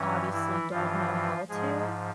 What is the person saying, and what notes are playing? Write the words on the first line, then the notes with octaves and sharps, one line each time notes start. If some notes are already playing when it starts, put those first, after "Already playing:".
obviously don't know how to,
Already playing: G2 E3 C#4
E3 E4
G2 E3 F3 F4
G#2 F3 G#3 G#4